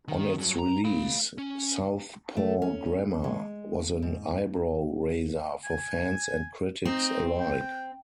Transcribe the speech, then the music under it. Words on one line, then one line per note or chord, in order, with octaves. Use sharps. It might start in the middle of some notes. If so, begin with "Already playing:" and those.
On its release "Southpaw Grammar" was an eyebrow-raiser for fans and critics alike.
D#3
G2 F#3
A#5
F5 B5
C#4
A3
C#4
G#3
G#2
G#5
C4 D#4
G5